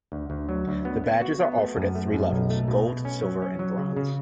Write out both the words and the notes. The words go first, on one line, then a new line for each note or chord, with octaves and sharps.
The badges are offered at three levels: gold, silver and bronze.
D2
D2
F#3
D2
B3
B3
F#4
B3
A3
F#2
A3
F#2
B1
A3
B2
B2
C#4
F#3
C#4
F#3
C#3
C#3